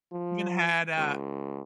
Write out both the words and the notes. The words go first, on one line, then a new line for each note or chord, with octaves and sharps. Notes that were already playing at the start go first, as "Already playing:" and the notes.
even had a
F3
C#2